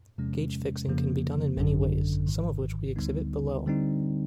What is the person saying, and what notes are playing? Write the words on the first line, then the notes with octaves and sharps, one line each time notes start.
Gauge fixing can be done in many ways, some of which we exhibit below.
E2 C3 F3 G#3 C#4
F2 C#3 F3 A#3
G#1 F#2 D3
G#1 G#2 D#3
D2 D3 G3 B3 D#4
D3 G3 C4 D#4